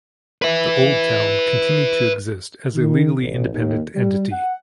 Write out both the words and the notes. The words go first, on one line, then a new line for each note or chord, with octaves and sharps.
The "old town" continued to exist as a legally independent entity.
B4 E5
D#3
A1
D#2
G3
F#5